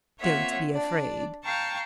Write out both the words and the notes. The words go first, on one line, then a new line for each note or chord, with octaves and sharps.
"Don't be afraid."
A#3 C4 F4 C#5 E5 F#5
D4 D5
F5 G5 A5 A#5 C#6